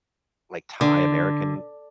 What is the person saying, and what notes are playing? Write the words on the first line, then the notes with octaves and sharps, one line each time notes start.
like, Thai-American
D3